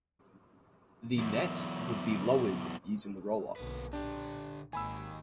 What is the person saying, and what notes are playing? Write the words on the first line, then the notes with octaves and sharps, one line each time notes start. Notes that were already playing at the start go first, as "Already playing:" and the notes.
The net would be lowered using the roller.
E2 F#3
B1 D3 A#3 B4
A#2 D3 D4 G4
G#1 D#3 A#3 G#5 B5 E6